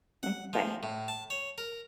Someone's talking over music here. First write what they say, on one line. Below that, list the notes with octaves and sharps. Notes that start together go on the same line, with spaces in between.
Mm, bye.
F#5
F3
A2
A5
C#5
A#4